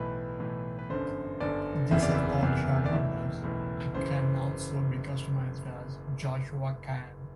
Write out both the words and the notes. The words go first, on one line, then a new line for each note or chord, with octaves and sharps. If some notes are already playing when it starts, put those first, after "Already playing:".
These are called shadowrunners, and can also be customized as Joshua can.
Already playing: B1 A2 E3 B4
B1 A2 E3
B4
G1 F#2 D3 C5
G1 F#2 D3 D5
F#1 E2 C3 E3 E5
D5
E5
F#1 E2 C3 E3
D5
B1 A2 E3 E5
B1 A2 E3
F#1 F#2 E3 C5